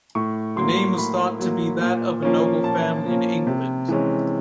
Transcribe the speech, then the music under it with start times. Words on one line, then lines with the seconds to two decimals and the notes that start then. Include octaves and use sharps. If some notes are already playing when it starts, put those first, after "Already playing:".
The name was thought to be that of a noble family in England.
0.15 A2 C#6
0.56 F#3 A#3 C6
0.98 A2 B5
1.40 F#3 A#3
1.81 A#2
2.23 F3 A#3 C#4
2.64 A#2 A5
3.06 F3 A#3 C#4
3.47 C3
3.88 E3 G#3 C#4